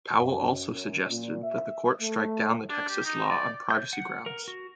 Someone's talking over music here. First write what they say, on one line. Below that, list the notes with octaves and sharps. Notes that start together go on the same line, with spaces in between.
Powell also suggested that the Court strike down the Texas law on privacy grounds.
F#2
F#2
A#2
E5
A3
D4
G4
D#4
D5
G6
F#5
A#4
F#4